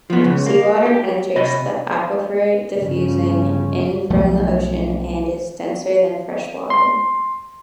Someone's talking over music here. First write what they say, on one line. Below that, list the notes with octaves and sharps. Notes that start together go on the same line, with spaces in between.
Seawater penetrates the aquifer diffusing in from the ocean and is denser than freshwater.
F3 B3
C#2 C#3
A#3
G4
C3 D#5 B5
G1 C#3 F3 C#4
B1 F3 A3
C6